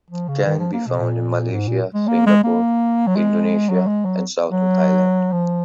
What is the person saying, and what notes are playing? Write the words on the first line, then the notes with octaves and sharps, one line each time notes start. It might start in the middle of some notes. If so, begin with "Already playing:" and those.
It can be found in Malaysia, Singapore, Indonesia and Southern Thailand.
F3
C#3
D#3
F3
A#3
B2
A#2
G#2
A#2
G#3
A#3
G#3
A#3
F#3
G#3
F#3
G#3
F#3
F#3
F3